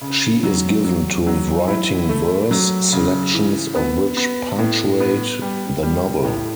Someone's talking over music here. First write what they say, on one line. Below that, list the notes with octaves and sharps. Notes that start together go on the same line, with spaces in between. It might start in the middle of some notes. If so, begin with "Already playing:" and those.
She is given to writing verse, selections of which punctuate the novel.
C#3
F#3
F#3
F#3
E4
A3
F#3
C#3
E3
B3
B3
A2
B3
G3
G3
A2